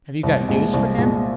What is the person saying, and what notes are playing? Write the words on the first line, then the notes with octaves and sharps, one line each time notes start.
"Have you got news for him?"
C2
A#2 G#3
C2
A#2 G#3